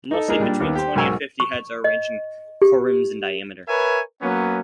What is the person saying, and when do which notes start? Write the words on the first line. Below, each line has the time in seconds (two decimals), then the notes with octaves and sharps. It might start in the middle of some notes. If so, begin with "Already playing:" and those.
Mostly between twenty and fifty heads are arranged in corymbs in diameter.
0.11 D#4 A4
0.28 G#3 A#3 D4 D#4 G#4 A#4
0.40 A#2 G3 D4
0.60 D#2 D#3 B3
0.75 G4 C5
0.96 B1 G#2 A#4 G#5 C#6 E6
1.40 C#6
1.84 D#5
2.62 G4
3.67 A#4 B4 C#5 E5 G#5
4.21 F#3 A#3 B3 C#4